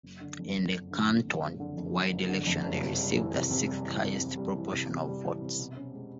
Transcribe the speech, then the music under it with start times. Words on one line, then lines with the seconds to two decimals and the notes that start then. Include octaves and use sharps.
In the canton-wide election they received the sixth highest proportion of votes.
0.03 F#1
0.21 D3
0.39 F2
0.55 F#1
0.74 F#1
0.91 D3
1.08 F2
1.26 F#1
1.42 F#1
1.60 D3
1.77 F2
1.95 F#1
2.13 F#1
2.29 D3
2.47 F2
2.64 F#1
2.82 C3
2.99 G3
3.17 E3
3.34 C3
3.51 C3
3.69 G3
3.86 E3
4.03 C3
4.21 C3
4.37 G3
4.55 E3
4.73 C3
4.90 C3
5.07 G3
5.25 E3
5.42 C3
5.59 B2
5.76 C#4
5.94 G#3